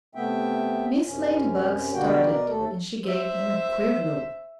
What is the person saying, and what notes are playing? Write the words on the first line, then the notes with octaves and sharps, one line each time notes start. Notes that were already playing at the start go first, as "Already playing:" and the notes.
Mrs. Ladybug started; and she gave him a queer look.
C3 A3 B3 E5 G5
F#2 C3 C#4
B2 D3 G3 A#3 F#4 G5
B2 A#4 D5
D#2 A3 A4
C5 E5